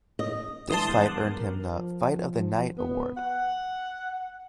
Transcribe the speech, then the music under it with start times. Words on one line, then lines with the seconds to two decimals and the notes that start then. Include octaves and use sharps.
This fight earned him the "Fight of the Night" award.
0.19 D#5
0.70 D3 E3 G#3 A5 C6 D#6
0.87 E2 G2 C5 F5 F#5
1.06 F#5 D6
1.22 A#4
1.72 F3
2.78 B3
3.17 F#5